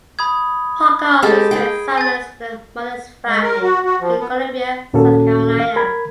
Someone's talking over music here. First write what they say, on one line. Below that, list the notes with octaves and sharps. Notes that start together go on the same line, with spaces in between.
Parker often spent summers with her mother's family in Columbia, South Carolina.
B5 D#6 G#6
G#3 G4 A4
G#4 G5
G#5 A6
G#3
A#4
F#4
F#4
F3
B3
D#2 A#2 A#3 C#4 F#4 A4
F5
A#4 B5 G#6